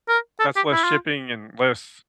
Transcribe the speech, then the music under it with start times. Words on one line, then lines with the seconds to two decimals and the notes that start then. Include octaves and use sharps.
that's less shipping and less,
0.09 A#4
0.40 A4
0.56 G4
0.72 E4
0.84 F4